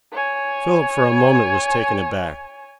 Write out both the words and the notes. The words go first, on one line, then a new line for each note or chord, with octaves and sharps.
Philip for a moment was taken aback.
C#5 G#5